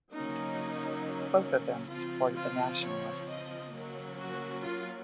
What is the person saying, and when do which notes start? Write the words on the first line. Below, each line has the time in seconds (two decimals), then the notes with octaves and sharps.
Both of them supported the Nationalists.
0.11 F#3 A#3 C#4 D#4
1.91 F3 C4 F4
2.36 F4
2.82 C#5
3.27 D#5
3.72 F#3 A#3 C#4
4.17 F#4
4.62 F4